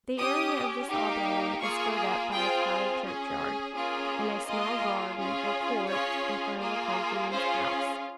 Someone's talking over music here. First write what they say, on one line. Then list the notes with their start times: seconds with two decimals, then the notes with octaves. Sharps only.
The area of this oblong is filled up by a crowded churchyard, and a small garden or court in front of the clergyman's house.
0.18 C#4 G4 D#6
0.89 A#3 D#4 G4
1.61 A#3 F4 G#4 C#6
2.32 C4 F4 G#4 G5
3.04 C#4 G#4
3.75 A#3 C#4 F4 G#4
4.46 A#3 F4 G#4 D#5
5.18 C#4 F4 G#4
5.89 C#4 F4 G#4 C#5
6.60 A#3 F4 G#4
7.32 C#4 F4 G#4 C5